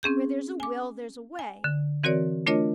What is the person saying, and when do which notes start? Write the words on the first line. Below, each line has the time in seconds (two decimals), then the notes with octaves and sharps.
Where there's a will, there's a way.
0.03 C4 C#4 G#4 G6
0.60 G#5 D6
1.39 G#5
1.64 D3
2.03 E3 C4 F#4 A#4 C#5 D5
2.46 A3 D4 F4 A#4 C#5 D#5